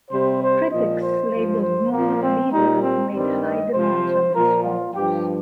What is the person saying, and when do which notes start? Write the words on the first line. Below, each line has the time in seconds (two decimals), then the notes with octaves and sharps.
Critics labeled Moon a leader who made high demands on his followers.
0.11 C3 G3 C5
0.42 C5
0.71 A#2 F3 D#5
1.01 C5
1.31 G2 F3
1.62 C5
1.91 A#2 F3 A#3
2.22 C4
2.52 A#2 G3 D#4
2.83 C4
3.13 G2 D#3 G3 C4
3.42 D#5
3.73 C3 F3 C5
4.33 A#2 F3 A#4
4.63 F4
4.94 G2 F3 G4